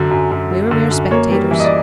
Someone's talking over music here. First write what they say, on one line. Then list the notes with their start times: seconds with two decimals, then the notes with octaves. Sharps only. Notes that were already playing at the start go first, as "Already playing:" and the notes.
We were mere spectators.
Already playing: F#2 D3 F#3
0.11 F#2
0.32 F#2
0.51 F#3
0.71 D3
0.91 F#2
1.11 A#3 C#5
1.31 G3
1.51 E3
1.60 D#5
1.64 D5